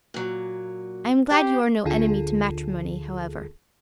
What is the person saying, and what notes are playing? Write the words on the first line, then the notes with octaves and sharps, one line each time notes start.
I am glad you are no enemy to matrimony, however.
A#2 F#3
G4 C5
D2 D3 F4 G#4 A4